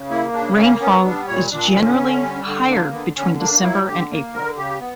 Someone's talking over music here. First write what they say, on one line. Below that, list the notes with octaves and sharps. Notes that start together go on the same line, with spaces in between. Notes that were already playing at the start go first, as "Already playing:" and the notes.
Rainfall is generally higher between December and April.
Already playing: C#3
A#3 E4
C#3 D4
A#3 C#4
B3 C#4
G3 D4
A#2 C#5
A#2 D4
D3 C#4
D3
G3
D3
A#3 D4
D3 B3
D3 C#4
A#3 D4
F#3 E4
D3 G4
A#3
D3 A#4
C#3 G4
B3